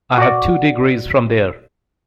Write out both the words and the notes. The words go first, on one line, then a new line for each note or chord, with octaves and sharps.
I have two degrees from there.
F#4 D5